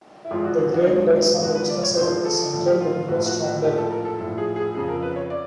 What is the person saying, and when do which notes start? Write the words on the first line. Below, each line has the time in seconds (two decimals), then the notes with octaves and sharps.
The grave lies on the western side of the central enclosed roundel.
0.25 E4
0.31 G#1 G#2 F3 G#3 F4
0.44 F#4
0.59 F#4
0.72 F#4
0.81 D#4
0.86 G#1 G#2 F3 G#3 D4
1.09 D4
1.15 D#4
1.42 G#1 G#2 F3 G#3 F#4
1.55 B4
1.69 D5
1.83 C#5
1.97 G#1 G#2 F3 G#3 C5
2.25 A4
2.53 A#1 A2 F3 A4
2.66 G4
2.80 F4
2.94 F4
3.08 A#1 A2 F3 F#4
3.26 F#4
3.44 F#4
3.64 A#1 A2 F3 G4
3.78 A4
3.91 A#4
4.05 A4
4.19 A#1 A2 F3 A4
4.38 G#4
4.56 G#4
4.74 F2 C#3 F3 G#4
4.88 A#4
5.02 B4
5.16 C#5
5.30 D5